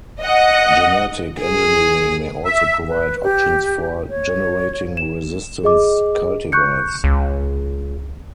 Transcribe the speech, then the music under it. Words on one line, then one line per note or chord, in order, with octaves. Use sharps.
Genetic engineering may also provide options for generating resistance cultivars.
D#5 F#5
G#4
E5
B4
G4
C#5
E7
G#4 D#5 D6
C#6 F#6 G6 C#7
C#2